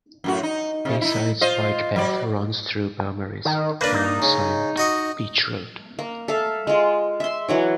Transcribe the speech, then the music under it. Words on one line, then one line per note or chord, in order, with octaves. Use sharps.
Bayside's bike path runs through Beaumaris, alongside Beach Road.
F#2 A2 F#4
D#4
C3
D#4 E4
F4 C5 D#5
F#3 G#3 D5
D#3
A#3 D4 B4
D#4
C#3
F#4 D#5 C#6
A#3
A4 E5 F5
G#3 F4
E5 C6
E3 F#3 C#5